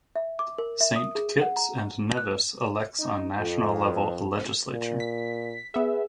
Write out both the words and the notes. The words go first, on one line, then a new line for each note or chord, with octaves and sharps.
Saint Kitts and Nevis elects on national level a legislature.
E5
D6
A#4
E5
D#6
G#4
F#5
A#5
F#6
D#4
F2
A#2
B6
B3 G#4 E5